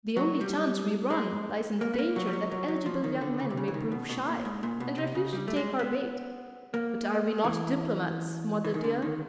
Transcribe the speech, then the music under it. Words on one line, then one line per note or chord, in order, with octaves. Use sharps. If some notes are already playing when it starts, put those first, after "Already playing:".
The only chance we run lies in the danger that eligible young men may prove shy, and refuse to take our bait; but are we not diplomats, mother dear?
F#3
G3
G#3
A#3
B3
A#3
F#3
G3
F#3
F#3
F#3
F3
D#3
D3
C#3
C3
C#3
E3
D#3
B2
B2
A#2
G#2
A#2
B2
C3
C#3
G3
A3
G#3
B3
A#3
E3
E3
D#3
D3
D#3